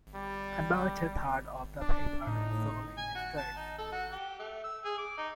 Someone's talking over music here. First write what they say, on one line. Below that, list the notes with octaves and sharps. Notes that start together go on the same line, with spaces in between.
About a third of the paper is sold in the streets.
G3
D4
A2 D#4
G#5
F#4
A5
D#4
A4
F#4
G4
A3
E6
G#4
D6
D#4